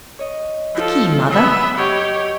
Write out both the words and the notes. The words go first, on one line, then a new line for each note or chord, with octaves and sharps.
"The key, mother?"
C#5 D#5
F3 A4
F#2 B3 E5
G4 C#5 D#5 F#5 C#6